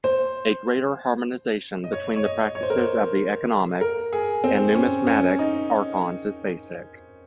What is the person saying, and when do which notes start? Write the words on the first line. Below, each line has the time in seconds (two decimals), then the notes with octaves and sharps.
A greater harmonization between the practices of the economic and numismatic archons is basic.
0.04 C5
1.84 D#5
1.93 C#5
2.16 C#5
2.24 D#5
2.55 C#5
2.63 C5
2.70 A#4
2.78 C5
3.81 A#4
4.13 G#4
4.44 C4
4.75 C#4
5.07 C#4
5.39 D#4